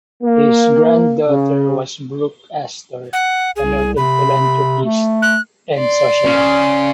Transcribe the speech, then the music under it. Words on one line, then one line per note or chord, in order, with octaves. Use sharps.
His granddaughter was Brooke Astor, a noted philanthropist and socialite.
A#3
C#3
F#5
C2 G#4
C3 B5
A3
F#6
D5 C6
C#3